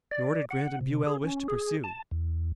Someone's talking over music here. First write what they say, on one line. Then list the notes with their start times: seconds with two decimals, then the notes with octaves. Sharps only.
Nor did Grant and Buell wish to pursue.
0.11 D5
0.51 F#5
0.81 C3
1.07 G#4
1.24 C#4
1.48 G#4
1.84 A5
2.11 E2